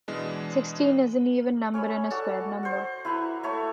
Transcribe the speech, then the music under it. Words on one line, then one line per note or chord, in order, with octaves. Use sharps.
Sixteen is an even number and a square number.
B2 E3 G#3 D4
C#4 C#5 E5 B5
F#4 A4 D5 A5
C5 F#5
E4 B4 E5 A#5
A3 C#5 E5